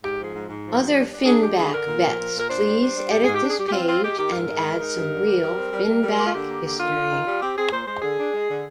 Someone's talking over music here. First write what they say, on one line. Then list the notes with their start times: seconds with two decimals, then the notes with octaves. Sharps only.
Other "Finback" vets please edit this page and add some real "Finback" history.
0.03 G#2 G4
0.19 F3 G#4
0.35 G#2
0.49 G#2
0.65 F3
0.80 G2
0.95 D4
1.11 D4
1.26 D4 G#4
1.42 G#3 G4
1.57 D3 G#4
1.72 D3 A#4
1.88 A#2
2.03 F3
2.19 A#2
2.34 A#2 A#4
2.49 D4 C5
2.64 G3
2.80 D4
2.95 G3
3.10 G#2 G4
3.23 G#2 G#4
3.35 G4
3.42 D4
3.47 G#4
3.57 G3 G4
3.67 G4
3.72 C4 F4
3.87 C4 F4
4.03 G#3 G4
4.18 D#3 G4
4.33 G#2 A#4
4.49 G#3
4.64 G#3
4.80 D#4
4.95 G2
5.10 D3
5.25 G3
5.41 G3
5.56 C4
5.72 G3
5.87 G3
6.03 G3
6.18 A#3 G4
6.26 F4
6.33 D3 G4
6.49 A#3
6.63 D3
6.79 D#3 F4
6.95 D4
7.10 D#3
7.25 G3
7.41 C4 G4
7.56 C4 G#4
7.71 A#2 C5
7.86 G#3 C5
8.02 D3 G#4
8.18 D4
8.33 G#3
8.49 D3